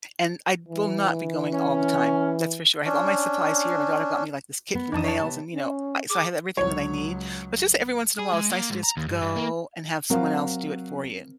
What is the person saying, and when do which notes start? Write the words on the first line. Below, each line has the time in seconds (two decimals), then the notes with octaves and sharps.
And I will not be going all the time, that's for sure. I have all my supplies here, my daughter got me, like, this kit for nails and, you know, I so I have everything that I need. But just that every once in a while, it's nice to just go and have someone else do it for you.
0.68 E3
1.53 C#4
2.85 C#4 D4
4.75 B3
4.92 F2 E3 D4 D#4 A5 D#6
5.04 C#5 A5
5.20 C3 B3 A5
5.53 C#4
6.10 G#4 D6
6.57 C#2 F#3 C#5
8.18 G#4
8.33 G#3
8.50 A#3
8.71 G#2
8.83 A#5
8.97 D#2
9.08 G2
9.22 G2
9.36 A#3
10.10 F#3 C4 A#4 F5